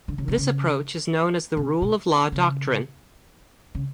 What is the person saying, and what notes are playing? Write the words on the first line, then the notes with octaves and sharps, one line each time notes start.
This approach is known as the Rule of Law doctrine.
D3
C#3
C3
C#3
C3
B2
C#3
C#3